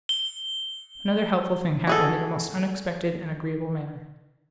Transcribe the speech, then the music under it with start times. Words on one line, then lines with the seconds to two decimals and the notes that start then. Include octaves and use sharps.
Another helpful thing happened in a most unexpected and agreeable manner.
0.09 G7
1.87 F#4 G#4 A4